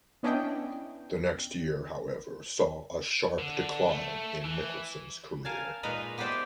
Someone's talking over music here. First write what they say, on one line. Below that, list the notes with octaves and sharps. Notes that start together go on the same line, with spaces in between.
The next year, however, saw a sharp decline in Nicholson's career.
B3 C#4 D4 E4 D#5 G5
D3
A3
E3
A#4 F5 G#5 A5
A#2 G#3 D#4 B4 D#5 A#5
B3 G4 B4 C5 D5 E5